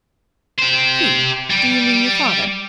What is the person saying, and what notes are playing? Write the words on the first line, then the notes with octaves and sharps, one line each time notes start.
"He--do you mean your father?"
G4 C5
G3